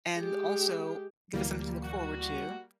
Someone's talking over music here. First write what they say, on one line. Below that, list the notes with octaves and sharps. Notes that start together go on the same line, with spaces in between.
and also give us something to look forward to
G#3 G4
D2 E3 F#3 G3 A#3
F#4